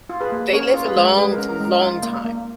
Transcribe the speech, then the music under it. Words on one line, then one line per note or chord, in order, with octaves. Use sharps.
They live a long, long time.
F4
G#4 B4
A#3
C#4 A#4 C#5
F4
G#4 B4
G#3
G#3 G#4 B4
A#4
C#4
A#4
G#3 A#4
F4
A#3
A#3